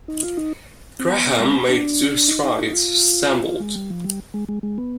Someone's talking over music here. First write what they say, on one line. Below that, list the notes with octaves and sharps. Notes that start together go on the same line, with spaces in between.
Graham made two strides, stumbled.
D#4
F4
D#4
C4
B3
G#3
C4
B3
D4
D#4
D#4
D#4
F4
F4
G#3
G3
F3
G3
G#3
G#3
G#3
B3